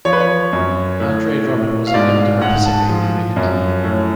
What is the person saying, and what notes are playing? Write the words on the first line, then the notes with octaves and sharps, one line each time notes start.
Andre Drummond was unable to participate due to injury.
F3 C#5
B4
C#5
F#2
A2
A2
F5
G#2 D5
F5
G#2 F#5
A5
F3
F#2
A2